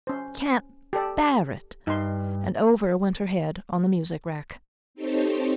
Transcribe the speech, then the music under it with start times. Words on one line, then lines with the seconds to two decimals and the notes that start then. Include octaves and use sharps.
"I can't bear it!" and over went her head on the music rack.
0.07 C#4 C5
0.93 G4 A4 D5
1.87 G2 D#4 C6
4.94 C4 D#4 G4 A4 C5 C#5